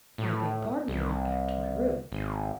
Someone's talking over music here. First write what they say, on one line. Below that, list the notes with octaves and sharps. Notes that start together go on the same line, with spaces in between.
I begged pardon and went back to my room.
A2
C2
G#1